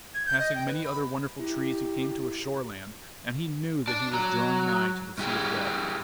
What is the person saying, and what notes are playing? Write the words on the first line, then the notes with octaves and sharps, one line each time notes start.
Passing many other wonderful trees, he came to a shoreland, and he knew that he was drawing nigh to the Sea of Death.
G#6
G6
D#5
G5
B4
B5
E4 G4
D5 A5
F#3 A#5
G2 E4 G4 G#4